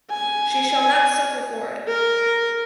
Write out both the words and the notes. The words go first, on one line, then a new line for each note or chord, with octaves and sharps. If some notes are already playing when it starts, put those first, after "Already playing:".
She shall not suffer for it!
G#5
A#4